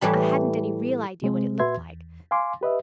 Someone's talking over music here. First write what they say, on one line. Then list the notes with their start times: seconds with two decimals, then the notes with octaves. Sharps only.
I hadn't any real idea what it looked like.
0.01 A2 E3 G3 B5
1.22 C3 G#3 C4
1.60 A#2 F#4 B4 E5 C6 G#6
1.77 E2
2.31 F5 G#5 C6 D6
2.61 G4 B4 D#5 E5